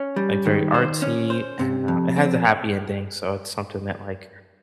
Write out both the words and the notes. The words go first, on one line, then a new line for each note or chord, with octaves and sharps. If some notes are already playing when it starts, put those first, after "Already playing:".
like, very artsy and, uh, it has a happy ending, so it's something that, like,
Already playing: C#4
G3
D#3
C5
C#4
C5
C3
F2
C4